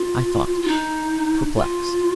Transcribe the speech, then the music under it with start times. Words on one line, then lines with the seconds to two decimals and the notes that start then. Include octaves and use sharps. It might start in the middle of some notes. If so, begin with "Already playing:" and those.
I thought perplexed.
Already playing: F4
0.62 F4
0.67 D#4
1.55 F4